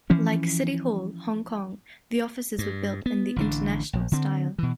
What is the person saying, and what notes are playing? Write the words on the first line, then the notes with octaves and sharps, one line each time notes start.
Like City Hall, Hong Kong, the offices were built in the International style.
E3 F3 C#4
G2
B3
A1 D3 D4
A#1
D3 C4
B2 E3